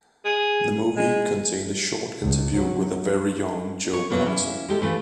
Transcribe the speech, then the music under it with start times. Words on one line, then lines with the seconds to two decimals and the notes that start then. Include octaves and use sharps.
The movie contained a short interview with a very young Joe Conason.
0.25 G#4
0.96 G#3
2.22 C#2
2.56 F#3
3.93 C#5
4.10 F2 B2 F#3 A#3 B3
4.25 A#3 C#4 E4
4.68 G#3 G4 A4
4.80 D2 E3 A3 F4